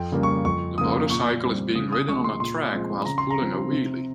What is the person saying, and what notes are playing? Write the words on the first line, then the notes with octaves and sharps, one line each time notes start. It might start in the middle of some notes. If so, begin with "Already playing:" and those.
The motorcycle is being ridden on a track whilst pulling a wheelie.
Already playing: F2 G5
C#3 G3 A#3
C#6
F2 C#6
C#3 F3 A#3 D#6
A#2 C#6
G3 C4
C#3 D#6
D#6
F3 G#3 C#6
C6
A#2 C6
F3 G#3 C4
C#3 A#5
C6
A#5
F3 C4
C3